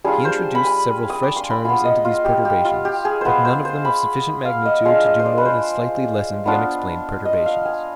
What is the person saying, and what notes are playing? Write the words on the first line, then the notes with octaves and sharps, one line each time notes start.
He introduced several fresh terms into these perturbations, but none of them of sufficient magnitude to do more than slightly lessen the unexplained perturbations.
G3 D4 F4 G#4
C5
B5
G#5
D#6
D6
C6
B5
B3 F4 G#5
D#5
F4
G4
G4
F4
G4
G#4
B3 F4 B4 C5
C5
C5
B5
F5
D#5
G#3 D4 F4 F5
D#5
C5
D5
B4
C5
B3 D4 F4
D#5
F5
G#5